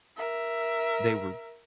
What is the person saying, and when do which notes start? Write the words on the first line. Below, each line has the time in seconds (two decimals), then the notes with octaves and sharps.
They were
0.17 A#4 E5